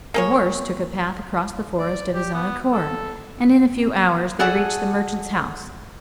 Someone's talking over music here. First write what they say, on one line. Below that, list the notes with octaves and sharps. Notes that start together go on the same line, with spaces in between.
The horse took a path across the forest of his own accord, and in a few hours they reached the merchant's house.
A#3 G#4 C#5
D5
G4
B3
A4
F#4 G#4 A4 D5 F#5